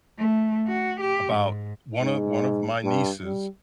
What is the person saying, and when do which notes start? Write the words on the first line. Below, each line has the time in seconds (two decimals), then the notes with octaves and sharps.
about one of one of my nieces,
0.18 A3
0.68 F#4
1.00 G4
1.34 G#2
2.01 G#2
2.84 G2
3.23 G3